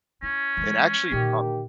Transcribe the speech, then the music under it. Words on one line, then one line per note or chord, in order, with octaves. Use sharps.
And, actually, um
C#4 E4
E3 G#3
A#2 D3 D#3 A#3 G4